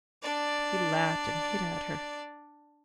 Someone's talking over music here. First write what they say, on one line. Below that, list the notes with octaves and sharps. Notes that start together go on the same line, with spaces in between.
He laughed and hit at her.
D4 D5